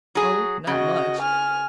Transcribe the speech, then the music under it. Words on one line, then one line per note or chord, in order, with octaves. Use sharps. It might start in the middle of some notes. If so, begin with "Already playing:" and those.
Oh, not much.
F#3 G#4
C#3 F#4 D#5
G#5 F6